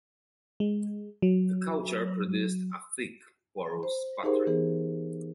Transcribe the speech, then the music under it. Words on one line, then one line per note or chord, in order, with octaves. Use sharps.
The culture produced a thick, porous pottery.
G#3
F#3
C5
D#4 G4 G#4 A#4 C5
E3 B3 G#4